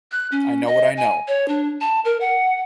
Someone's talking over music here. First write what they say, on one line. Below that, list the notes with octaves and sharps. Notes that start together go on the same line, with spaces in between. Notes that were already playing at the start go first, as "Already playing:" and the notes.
I know what I know.
F#6
C#4
D#5
G#5
C#5
D4
A5
A#4
F#5